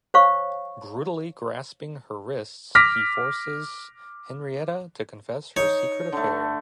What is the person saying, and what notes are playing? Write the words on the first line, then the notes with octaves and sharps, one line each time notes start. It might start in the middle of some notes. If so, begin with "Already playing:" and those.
Brutally grasping her wrists, he forces Henrietta to confess her secret affair.
C5 C#5 F5 C#6
D6 F6 A#6 B6
D#4 C#5
D3 A3